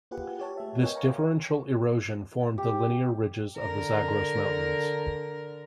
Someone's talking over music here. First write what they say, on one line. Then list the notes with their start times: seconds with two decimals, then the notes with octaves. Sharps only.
This differential erosion formed the linear ridges of the Zagros Mountains.
0.11 A#3 F4 G4 G#4 B4 F#5
0.39 G4 C#5 A5
0.58 A3 G#4 E5
0.81 A#4 B4 C#5 D#5 G5 G#5
0.95 F5 G5 G#5 A#5 B5 C#6
2.58 G4
3.58 D3 A#4